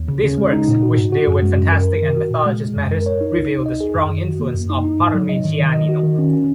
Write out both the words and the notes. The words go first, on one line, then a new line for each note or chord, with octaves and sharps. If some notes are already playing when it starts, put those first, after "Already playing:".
These works, which deal with fantastic and mythologist matters, reveal the strong influence of Parmigianino.
Already playing: D#2
C#3
C#3
G#3
D#4
A#2
F#4
G#2
F#4
F#2
G#3
F#2
A#4
A#4
D#3
F#4
A#2
G#3
G#3
F#2
A#4
C#5
D#4
C#2
D#4
D#5
G#4
F#2
D#3
F#4
A#3
F#2
D#4
D#4
G#2
F#3
D#5
D#3
D#3
D#5
F#4
D#3
C#4
C#4